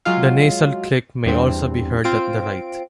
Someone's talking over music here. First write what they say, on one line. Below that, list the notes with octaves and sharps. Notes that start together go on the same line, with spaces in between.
The nasal click may also be heard at the right.
F#3 G#3 F4 F5
E2 G2 C4
C4 F4 D7